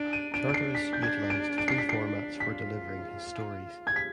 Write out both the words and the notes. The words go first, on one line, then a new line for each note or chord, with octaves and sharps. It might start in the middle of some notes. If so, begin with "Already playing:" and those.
Charteris utilized three formats for delivering his stories.
Already playing: D4 D7
D#7
D4 D7
D7
C7
B6
G6
G#6
D7
D7
C7
B6
C7
F4 B6
G#6
B6